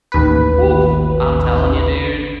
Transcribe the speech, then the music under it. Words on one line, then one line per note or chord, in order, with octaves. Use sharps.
Oof! I'm telling you, dude,
A1 D#2 B4